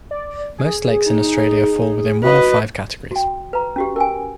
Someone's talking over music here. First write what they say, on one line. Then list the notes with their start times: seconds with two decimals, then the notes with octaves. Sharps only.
Most lakes in Australia fall within one of five categories.
0.11 D5
0.58 G#4
1.06 D#4
2.24 F#4 B4 D#5
3.11 F#4 G5
3.53 B4 A#5
3.76 C#4 F#4 G4
3.96 A#4 G5 G#5